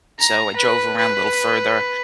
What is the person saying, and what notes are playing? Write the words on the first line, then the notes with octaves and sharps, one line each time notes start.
So, I drove around a little further,
A#5
B4
B4